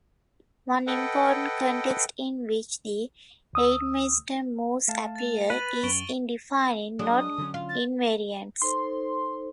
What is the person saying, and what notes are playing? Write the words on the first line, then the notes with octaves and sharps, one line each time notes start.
One important context in which the Reidemeister moves appear is in defining knot invariants.
A4 B4 D#5 F#5 G5
D2 D#6 E6
A3 F5 A5
A6 F7
B4 D#7 F#7
F#2 C#6 D7 G7
F#3 G#3 D4 D#6
D3 F#3 C#4
F4
A6
D#4 A4 C5 C6